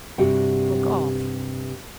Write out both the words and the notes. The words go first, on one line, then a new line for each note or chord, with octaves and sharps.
Or golf?
G2 C3 F#4 G4 F#5 G5